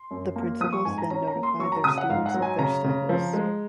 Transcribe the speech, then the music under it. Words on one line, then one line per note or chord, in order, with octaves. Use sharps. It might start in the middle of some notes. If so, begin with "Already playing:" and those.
The principals then notify their students of their status.
Already playing: C6
F#2
A#3
F3 D#6
C#6
G#2 G#5
A#5
C#4 A#5
A#5
A#3
C6
F#3 C#6
A#5
C#3 D#6
F#5
G#2 F5
F#5
F#3
G#5
C#3 A#5
C#3
F3
G#3